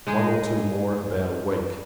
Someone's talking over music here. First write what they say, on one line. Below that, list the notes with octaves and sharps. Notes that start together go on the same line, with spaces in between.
One or two more in about a week.
G#3 D#4 G#4